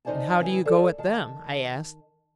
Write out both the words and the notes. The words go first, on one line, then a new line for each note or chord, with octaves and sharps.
"And how do you go at them?" I asked.
D#3 D#4 C5 D5 G#5 A5
C#3 E3 B3 E4 G4 G#5
G#4 A4 D5
D#3 A5